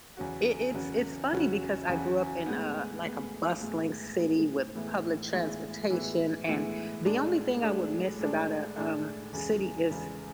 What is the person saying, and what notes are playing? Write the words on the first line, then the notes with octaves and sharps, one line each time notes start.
it it's it's funny because I grew up in a, like, a bustling city with public transportation, and the only thing I would miss about a, um, city is
E2 C#3 F#3 C#4 F#4
E2 C#3 F#3 C#4 F#4
E2 C#3 F#3 C#4 F#4
E2 C#3 F#3 C#4 F#4
A2 G#3 B3
A2 G#3 B3
A2 G#3 B3
A2 G#3 B3
A2 E3 G#3 B3 E4
A2 E3 G#3 B3 E4
A2 E3 G#3 B3 E4
A2 E3 G#3 B3 E4
A2 G#3 D4 A4
A2 G#3 D4 A4
A2 G#3 D4 A4
A2 G#3 D4 A4
E2 C#3 G#3
E2 C#3 G#3